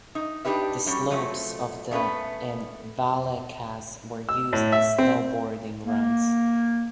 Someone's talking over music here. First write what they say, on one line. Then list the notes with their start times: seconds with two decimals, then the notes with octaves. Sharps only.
The slopes of the in Vallecas were used as snowboarding runs.
0.15 D#4
0.45 D4 D#4 G4 B4 E5
0.86 F#3 G3 C#4
1.10 F3 F#3 A3
1.91 A3 B3 C#4 B4
4.29 E6
4.53 A2
4.72 E5
4.98 C4
5.84 A#3